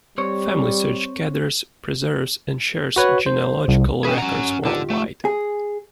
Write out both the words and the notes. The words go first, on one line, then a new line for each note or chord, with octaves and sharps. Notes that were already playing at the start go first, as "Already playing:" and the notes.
FamilySearch gathers, preserves, and shares genealogical records worldwide.
G3 C4 C5 C#5
F#4 B4 C#5
C5
C2
C#4 G#4 B4 E5 G5
C#4 F#5 A#5
D3 D#4 F4 G4
A3
G#4